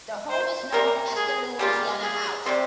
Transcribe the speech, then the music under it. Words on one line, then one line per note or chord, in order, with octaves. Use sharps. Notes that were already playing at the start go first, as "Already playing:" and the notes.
The home is known as The Louisiana House.
C5
C3 G3 A#3 A#4
G#4
C#3 G3 A#3 F4 G4
G#4
C3 G3 C4 G4